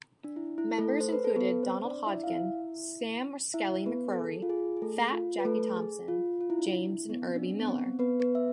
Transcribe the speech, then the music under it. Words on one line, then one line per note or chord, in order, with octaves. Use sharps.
Members included Donald Hodgen, Sam "Skelly" McCrory, "Fat" Jackie Thompson, James and Herbie Millar.
D4
E4
E4
A3 A4
C5
B4
A4
B3 B4
C4 C5
D4 D5
E4 E5
F5
E4 E5
E4 E5
B3 B4
A4
G#4
F4
G#4
G#4
A3 A4
F4
B4
A3 A4
G#4
F4
F4
E4
D4
E4
B3
C4
D4
B3
C4
B3 B4
B3 B4
E5